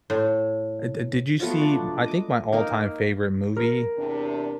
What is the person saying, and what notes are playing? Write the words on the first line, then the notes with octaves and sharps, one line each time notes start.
uh, di did you see I think my all-time favorite movie,
A2
F3 F#3 A3 B3
D4
D#5 D6
A#3 D#4 A#4
A#4
E2 C3 D4